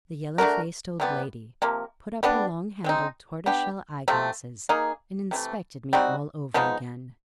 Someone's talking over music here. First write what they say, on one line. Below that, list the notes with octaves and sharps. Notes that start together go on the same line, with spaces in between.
The yellow-faced old lady put up her long-handled tortoise-shell eyeglasses and inspected me all over again.
A3 D4 F#4 A#4
C3 E3 G3 B3
C3 F3 A#3
G3 B3 D4
G#3 C4 D#4
B3 D4 G4
C3 F3 A3 C4
A#3 D#4 G#4
C3 E3 A3
G3 C4 D#4 F#4
F3 G#3 B3 D#4